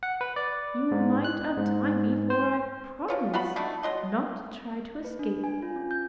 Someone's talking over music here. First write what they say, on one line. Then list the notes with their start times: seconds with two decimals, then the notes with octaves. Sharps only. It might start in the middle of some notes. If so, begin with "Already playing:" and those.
You might untie me, for I promise not to try to escape.
0.03 F#5
0.21 B4
0.36 D5
0.91 G#2
1.25 F#6
1.57 G#2
2.30 C5
3.08 D3 F4 C#5
3.34 B3 F4 F#4 B5
3.56 A3 D4 D#4 F#4
3.83 F#3 D#5 C6
5.04 B4
5.19 D4
5.44 G#5
5.62 F4
5.76 C#4
5.91 G6